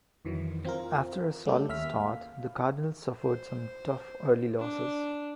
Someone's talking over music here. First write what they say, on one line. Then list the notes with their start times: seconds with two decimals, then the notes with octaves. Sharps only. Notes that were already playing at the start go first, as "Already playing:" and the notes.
After a solid start, the Cardinals suffered some tough early losses.
0.25 F2 D#3 E3 F#3
0.65 C4 F4 A#4
1.46 G3 A3 C#4 G4 A4
1.69 D#2 E5 F6 B6
1.85 A#3
2.00 F5
3.17 C5
4.59 D4